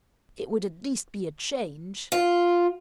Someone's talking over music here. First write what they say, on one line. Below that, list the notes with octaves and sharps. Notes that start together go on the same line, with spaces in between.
It would at least be a change.
F4